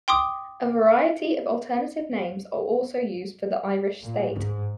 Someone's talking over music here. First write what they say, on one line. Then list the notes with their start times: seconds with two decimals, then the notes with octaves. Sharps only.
A variety of alternative names are also used for the Irish state.
0.08 G5 C6 D6 D#6
4.04 A#2
4.35 G#2